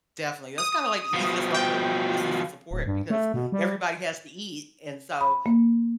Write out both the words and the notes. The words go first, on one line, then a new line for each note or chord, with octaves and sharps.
definitely. That's kinda, like, the easiest local business to support because everybody has to eat, and so,
D#6
B2 F3
G5
D1
G2
A3
B2
G3
B5
A#3